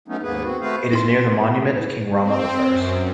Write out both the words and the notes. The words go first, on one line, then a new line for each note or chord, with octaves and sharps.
It is near "The Monument of King Rama the First".
F#3 A3 B3 C#4 D#4
D#2 G#2 A#3 B3 G#4 B4
C4 F#4
A3 B3 F#4 B4 C5 F5
E4 C6
C4
F#2